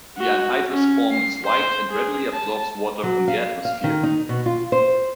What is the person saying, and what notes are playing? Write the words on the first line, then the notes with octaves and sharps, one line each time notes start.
The anhydrous form is white and readily absorbs water from the atmosphere.
F#4
C#4
C7
C5
G#4
A5
F#3
F5
F5
D#3
D#4
B2
F4
C5